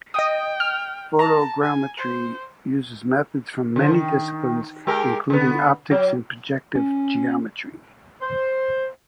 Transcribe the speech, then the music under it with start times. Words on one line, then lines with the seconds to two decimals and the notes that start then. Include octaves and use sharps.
Photogrammetry uses methods from many disciplines, including optics and projective geometry.
0.14 D#5 G5 D#6
0.60 F6
1.19 A5 A#5
1.62 G#5
1.97 C5
3.76 D3 F3
3.93 D#3
4.87 G#3 G4 A#4
5.30 D3 B3
5.91 F#3
6.76 C#4
8.22 C5